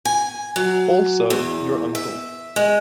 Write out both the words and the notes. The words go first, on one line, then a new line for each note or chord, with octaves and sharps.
Also your uncle.
G#5
F#3
E2
E5
G#3